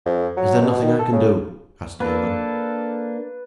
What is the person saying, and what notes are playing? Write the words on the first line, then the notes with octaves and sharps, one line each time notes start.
'Is there nothing I can do?' asked Newman.
F2
F#3
B2
D#3
A4
C#3
A#3 D4 A4 B4